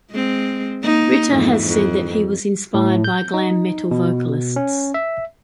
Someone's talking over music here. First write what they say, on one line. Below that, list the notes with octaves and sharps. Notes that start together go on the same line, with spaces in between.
Ritter has said that he was inspired by glam metal vocalists.
G#3 C4
A#3 D#4
F2 G#2 E3
F2
A2
G6
D#4
B2
C#4
E5